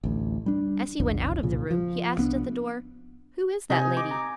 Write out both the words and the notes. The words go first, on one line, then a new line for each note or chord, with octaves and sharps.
As he went out of the room, he asked at the door, "Who is that lady?"
A1 D2
G3 D4
F1 B1 F2 D3
C2 A#2 C#3 F3
F3
C2 B3 C#4 D4
C3 D#4 G#5
D6
A#5